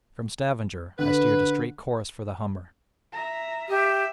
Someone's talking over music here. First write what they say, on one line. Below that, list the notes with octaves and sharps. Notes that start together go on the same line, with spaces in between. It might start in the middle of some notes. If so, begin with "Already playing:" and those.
From Stavanger I steered a straight course for the Humber.
D3 B4
E5 A#5
G4 E5